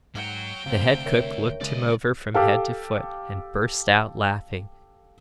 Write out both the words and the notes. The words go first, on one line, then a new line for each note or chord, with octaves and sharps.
The head cook looked him over from head to foot, and burst out laughing.
G#2 F#3 F#4 G5
D2 C3 C5 F5
A#4 C#5 E5
C#3 G#3 C#4 D5 D#5
G4 A4 F5